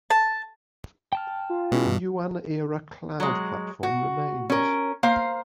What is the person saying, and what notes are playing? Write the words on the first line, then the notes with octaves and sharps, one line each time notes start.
The Yuan era Cloud Platform remains.
A5
G5 A5 F6
F4
B2 G#3 C#4 E4
G2
F#3 G#3
F#4
C#4 A#4
A#3 C5 F5